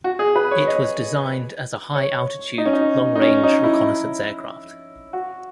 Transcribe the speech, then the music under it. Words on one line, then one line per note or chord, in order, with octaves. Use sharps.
It was designed as a high altitude long-range reconnaissance aircraft.
F#4
G#4
B4
C#5
D#5
C#5
D#4
C#4
D#4
D#4
C#4
D#4
E4
F#4